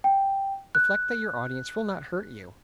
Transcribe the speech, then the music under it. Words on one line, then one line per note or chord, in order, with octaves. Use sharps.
Reflect that your audience will not hurt you.
G5
F#6